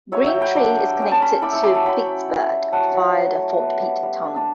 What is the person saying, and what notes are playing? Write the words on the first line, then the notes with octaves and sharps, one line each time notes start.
Green Tree is connected to Pittsburgh via the Fort Pitt Tunnel.
F#3 C#5 E5
E5 G5
F#3
G5 B5
D4 B5 D6
G3
C#4 G5
A5
C#4 B5
C#6
E4 B5 D6
C#6 E6
F#3 B5 D6
A5 C#6
F#3 G5 B5
C#4
E4
G3
F#3 F#5 A5
F#3
F#3
A3
B3
G3
G3
D4
A5